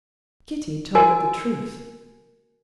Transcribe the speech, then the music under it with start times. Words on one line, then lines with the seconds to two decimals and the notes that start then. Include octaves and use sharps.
Kitty told the truth.
0.95 F#4 A#4 D#5 G#5